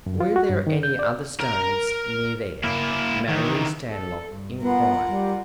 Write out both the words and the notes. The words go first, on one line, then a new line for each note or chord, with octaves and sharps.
"Were there any other stones near there?" Marion Stanlock inquired.
F#2
F4
F#4
G2
D#3
G6
D5
A#4 A#5
A#3 E4
D#3 E3
A4
G2
B3 F4 A#4 F#5
G3